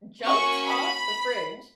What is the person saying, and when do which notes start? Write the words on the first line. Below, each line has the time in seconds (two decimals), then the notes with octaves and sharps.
jumps off the fridge,
0.24 A#3 C#4 F#4 C#6
0.65 B5